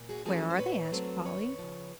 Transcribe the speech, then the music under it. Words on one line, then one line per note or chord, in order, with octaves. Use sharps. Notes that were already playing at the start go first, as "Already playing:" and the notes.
"Where are they!" asked Polly.
Already playing: A#2
F#4 G#4
F3 A3 C#4 F#4 G#4
C5
A#2 B4 C#5
F#3 A3 C4
D#2 B4 C#5
C#3 F3